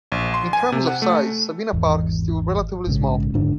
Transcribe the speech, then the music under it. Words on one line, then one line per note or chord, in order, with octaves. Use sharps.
In terms of size, Sabina Park is still relatively small.
A#1
C6
G#5
C3
F#5
A3
G#1 E2
A#1 G#2 C#3
E1 G#2 D3 D4